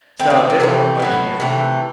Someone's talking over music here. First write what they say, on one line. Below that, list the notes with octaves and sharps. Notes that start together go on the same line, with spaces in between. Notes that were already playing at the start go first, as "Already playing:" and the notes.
so, there's, like, a bunch near me,
D#3 A3 C4
C4
C4
C3 E3 A3 B3
A2 F#3 B3
C3 E3 A3